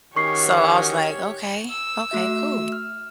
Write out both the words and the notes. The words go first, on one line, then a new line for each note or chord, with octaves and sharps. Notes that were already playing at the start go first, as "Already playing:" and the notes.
so I was like, "Okay. Okay. Cool."
D#3 C#4 F#4 G4 C#5 C#6 C7
E6
A3 F#4 E5
F6